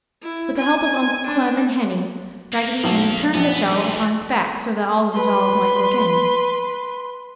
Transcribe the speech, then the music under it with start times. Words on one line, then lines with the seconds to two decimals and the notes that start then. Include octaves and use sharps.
With the help of Uncle Clem and Henny, Raggedy Andy turned the shell upon its back, so that all the dolls might look in.
0.23 E4
0.58 G#5
1.27 D4
2.53 D#2 A#3
2.84 B1
3.34 A#1 B3
3.61 D2 G2
5.13 B4 C6